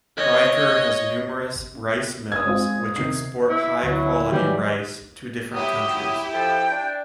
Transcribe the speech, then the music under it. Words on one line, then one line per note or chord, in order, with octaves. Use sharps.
Raichur has numerous rice mills which export high quality rice to different countries.
C#5 D#5
D#6 E6 G#6
G#3 C4 F4
C3 D#3 C7
E4
D2 F#3 E4
D#3 E3 F#3 G3 G4
F#3 E4 G4 D#6
F3 A4 G5
D4